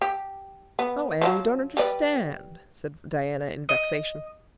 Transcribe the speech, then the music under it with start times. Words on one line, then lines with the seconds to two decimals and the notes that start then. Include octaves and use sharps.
"Oh, Anne, you don't understand," said Diana in vexation.
0.02 G4
0.79 B3
1.22 D#3 F3 F#3
1.77 G3 B4 D5
3.69 D#5